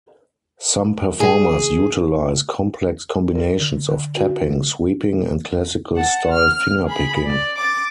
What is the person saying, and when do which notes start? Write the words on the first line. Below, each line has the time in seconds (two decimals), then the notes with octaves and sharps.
Some performers utilize complex combinations of tapping, sweeping, and classical-style finger picking.
1.20 G#4
3.35 A#4
3.60 D3
3.89 D3
4.17 F#4
5.96 F#5 A5
6.31 F6
6.86 G#4 B5
7.26 D5
7.57 D6 A6